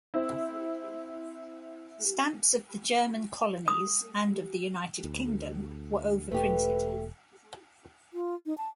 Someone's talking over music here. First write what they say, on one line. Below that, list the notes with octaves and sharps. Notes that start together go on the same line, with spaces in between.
Stamps of the German colonies and of the United Kingdom were overprinted.
C4 E4
D#6
D2
E1 A3 G4 B4
F4
D#4
A5